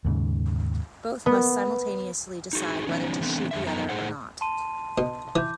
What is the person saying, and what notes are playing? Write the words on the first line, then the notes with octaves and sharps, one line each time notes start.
Both must simultaneously decide whether to shoot the other or not.
D#2 G#2 C#3
B3
D#4 F#4 G#4
E3 F#3 B3 C#4 D#4
E3 A3 B3 C4 D4
F2 D3 E5
F#2 F3 B3 D#4 A4 A#5
A2 D#4 G#4 C5 F#5
A5 C6 D#7
B2
E3 D6 G6